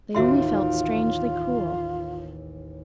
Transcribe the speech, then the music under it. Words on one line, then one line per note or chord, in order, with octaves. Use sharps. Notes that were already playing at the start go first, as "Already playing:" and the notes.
They only felt strangely cool!
A1 D#2 F4 F#4 E5 C6